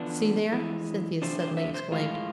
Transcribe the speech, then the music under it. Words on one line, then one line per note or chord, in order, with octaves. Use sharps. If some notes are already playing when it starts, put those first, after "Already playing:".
"See there!" Cynthia suddenly exclaimed.
Already playing: E2 D3 F3 B3 D4
F2 E3 G#3
C3 F3 A3 D4 C5
C5
E5
C5
A2 F3 G#3 F4